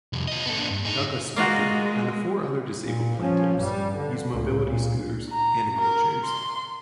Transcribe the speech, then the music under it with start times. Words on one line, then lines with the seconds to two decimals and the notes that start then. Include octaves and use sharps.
Douglas Spector and the four other disabled plaintiffs use mobility scooters and wheelchairs.
0.13 C2 F2
0.28 F4 D#5
0.46 B3 A4
0.58 A#3 D4
0.71 G2
0.85 D#4 G#4
1.36 G#3 A#3 F4 F#4
2.84 A#2
3.17 F3 C#4
3.58 G2 G3
3.96 D3
4.32 C#2 A2
4.64 A#2
5.30 A#5
5.81 A#4
6.25 C6